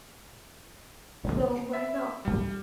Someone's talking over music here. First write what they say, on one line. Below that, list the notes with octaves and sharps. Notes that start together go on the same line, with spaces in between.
So why not?
E5
G3